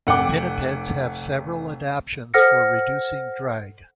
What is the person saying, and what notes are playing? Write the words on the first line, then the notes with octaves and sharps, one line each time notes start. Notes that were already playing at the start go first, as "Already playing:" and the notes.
Pinnipeds have several adaptions for reducing drag.
F1 F#5 G5 D6
A4 C5 F#5 F6 A#6 C#7